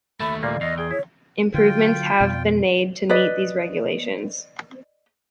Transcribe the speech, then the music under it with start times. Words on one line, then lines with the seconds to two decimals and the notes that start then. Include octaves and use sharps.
Improvements have been made to meet these regulations.
0.20 D#2 A3 E5 A5 B5
0.43 A#2 G3 A#3 D5 F5
0.61 E2 D#5 F5
0.78 G#4 G5
0.91 E4 C#5
1.54 D3 F#3 F4 G5
2.21 F2 B2
3.10 B4 D5 D#5